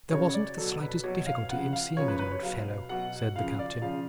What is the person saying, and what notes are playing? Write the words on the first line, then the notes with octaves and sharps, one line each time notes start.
"There wasn't the slightest difficulty in seeing it, old fellow," said the Captain.
C#3 F#3 C#5
D5
B2 F#3 A4
B4
B2 F#3 C#5
F5
C#3 F3 F#5
F5
C#3 F3 C#5
B4
C#5
B4
C#5
B2 F#3 F5
B2 F#3 F#5
C#3 F3 F5
D5
C#3 F3 F5